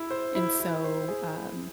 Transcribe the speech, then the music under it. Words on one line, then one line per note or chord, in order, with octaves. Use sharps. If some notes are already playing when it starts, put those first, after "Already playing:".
and so, um,
Already playing: E4
C5
E4
E4
C5
G#4
E4